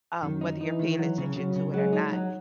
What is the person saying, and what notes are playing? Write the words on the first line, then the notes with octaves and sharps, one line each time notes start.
um, whether you're paying attention to it or not.
F#2 D#3
D#4
E3 D#4
D#3
F#3
C#3
C#3 F#3
C#3
F#3 G#3
D#4
F#3